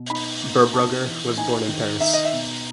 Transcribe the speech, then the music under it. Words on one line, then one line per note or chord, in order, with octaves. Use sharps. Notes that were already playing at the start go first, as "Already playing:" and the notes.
Berbrugger was born in Paris.
Already playing: B2
D#4 B5
B2
D#4 A5
E3
D#4 G#5
D#3
D#4 E5
D#5
E5
B2